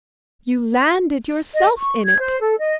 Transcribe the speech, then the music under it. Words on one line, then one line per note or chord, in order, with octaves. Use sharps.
You landed yourself in it.
D#5
C#6
G#6
C5
A4
D#5